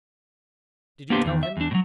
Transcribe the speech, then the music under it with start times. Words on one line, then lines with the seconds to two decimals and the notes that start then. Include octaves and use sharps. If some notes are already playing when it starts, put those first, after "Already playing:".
Did you tell him?
1.10 A#3 B3 D4 G4 C5
1.25 E2 D#3
1.43 E5
1.57 E2 D4
1.71 A2 F#3